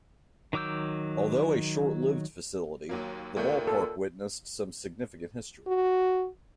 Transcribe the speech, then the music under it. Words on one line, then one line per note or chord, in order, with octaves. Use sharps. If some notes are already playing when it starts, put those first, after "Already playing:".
Although a short-lived facility, the ballpark witnessed some significant history.
D#3 F#3 D6 E6 G6
D#2 F#3 A#3
D#2 A#2 A3 G6
A4
F#4